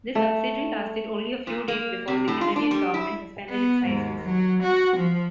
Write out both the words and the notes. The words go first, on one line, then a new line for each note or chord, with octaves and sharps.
This subsidiary lasted only a few days before the Canadian government suspended its licence.
A3
A#2
A#3
C3
A2
F4
D4
G3
E4
B3
D#2 G#2
F#3
F#4
F3